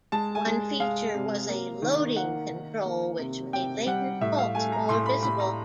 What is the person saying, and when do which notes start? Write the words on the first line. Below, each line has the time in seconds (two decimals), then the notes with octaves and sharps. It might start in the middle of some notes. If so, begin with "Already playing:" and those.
One feature was a "loading" control which made latent faults more visible.
0.12 G#3 A5
0.35 G#5
0.46 G#3
0.80 G#3 F5
1.14 C3
1.49 A#3
1.82 D#3
2.16 A#3 F#5
2.50 D#3
2.85 A#3
3.19 C3
3.53 C3 G5
3.86 G3 F#5
4.21 A2 E5
4.39 F5
4.55 A3 G#5
4.72 A#5
4.89 A2 C6
5.06 B5
5.23 A2 B5
5.40 A#5